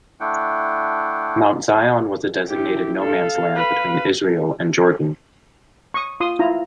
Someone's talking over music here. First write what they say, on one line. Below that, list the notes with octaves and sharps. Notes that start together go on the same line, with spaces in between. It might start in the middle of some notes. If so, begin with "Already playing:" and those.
Mount Zion was a designated no-man's land between Israel and Jordan.
A3 D4 E4 F#5 G5
E4 G4
A4 F5
B4
C#6 D#6
F4 C6 D#6
E4 F4 A#5